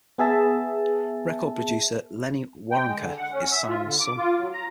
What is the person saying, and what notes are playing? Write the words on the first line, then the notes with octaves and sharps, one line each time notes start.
Record producer Lenny Waronker is Simon's son.
B3 G#4 E5 A5
G5
G#3
D3
F#5
C#4
E5
F4
D3
D6
F4
F#3
A#5